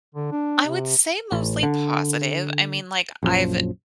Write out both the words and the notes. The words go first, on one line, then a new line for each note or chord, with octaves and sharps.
I would say mostly positive. I mean, like, I've
D3
D4
C3
A1
D3
A#1 F#2 F3